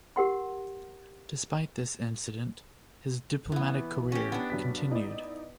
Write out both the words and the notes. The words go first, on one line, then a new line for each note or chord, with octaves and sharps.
Despite this incident, his diplomatic career continued.
G4 A#4 F#5 C6
E3 B3
C#4 G4
B3 D4
G2 F#3 B6
D#4 E4 D5